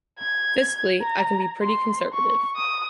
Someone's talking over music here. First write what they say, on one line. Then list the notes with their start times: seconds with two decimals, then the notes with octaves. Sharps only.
Fiscally, I can be pretty conservative.
0.19 G#6
1.01 A#5
1.62 C6
2.13 C#6
2.56 D#6